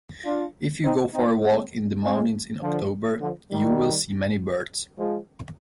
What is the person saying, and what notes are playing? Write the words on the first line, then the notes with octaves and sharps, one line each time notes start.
If you go for a walk in the mountains in October, you will see many birds.
D4 F4
C4 D#4
C4 D#4
G#3 C4
G#3 C4
D3 F3
D3 F3
D#3 G3
F3 G#3